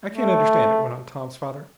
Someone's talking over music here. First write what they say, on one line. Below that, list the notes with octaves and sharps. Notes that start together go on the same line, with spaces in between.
"I can't understand it," went on Tom's father.
A3